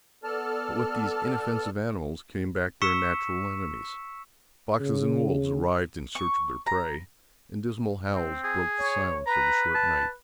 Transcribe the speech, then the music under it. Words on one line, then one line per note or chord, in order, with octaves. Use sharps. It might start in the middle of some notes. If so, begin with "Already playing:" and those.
But with these inoffensive animals came back their natural enemies. Foxes and wolves arrived in search of their prey, and dismal howls broke the silence of the short night.
B3 A4 D5 A5 F6
C#6 E6 B6 C#7 E7
C#3
C#6
A#5
C4
G#4
C#5
B4 A#5
A5